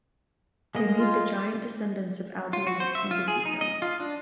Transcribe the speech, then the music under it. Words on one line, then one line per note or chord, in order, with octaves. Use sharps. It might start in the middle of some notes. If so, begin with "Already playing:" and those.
They meet the giant descendants of Albion and defeat them.
G#3 A#3 D#5
F4
F4
F#4
C5
E5
F4
G#4
D#4
D#5
F4
D4